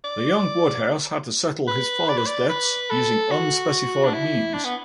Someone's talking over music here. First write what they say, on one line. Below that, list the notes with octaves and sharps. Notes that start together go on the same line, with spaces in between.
The young Woodhouse had to settle his father's debts using unspecified means.
D5
B4
D5
B4
D5
B4
A4
F#4
D4
E4
D4
B3